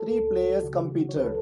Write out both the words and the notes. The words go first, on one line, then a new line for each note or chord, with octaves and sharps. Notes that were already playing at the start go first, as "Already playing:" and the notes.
Three players competed.
Already playing: A4
C#2
C#2
F#3
C#3 F#4
G#4
F#3 F#4
F#3
C#5
C#2 B4
A4